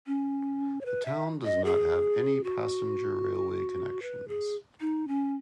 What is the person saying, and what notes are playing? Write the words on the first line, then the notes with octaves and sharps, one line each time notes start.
The town does not have any passenger railway connections.
C#4
C#5
B4
E5
D#5
G#4
F#4
B4
G#4
D#4
C#4